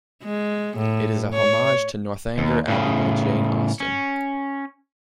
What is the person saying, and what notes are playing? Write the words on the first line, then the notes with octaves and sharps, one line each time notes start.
It is a homage to "Northanger Abbey" by Jane Austen.
G#3
A2
C#5
D#2
A2 C#3
C#4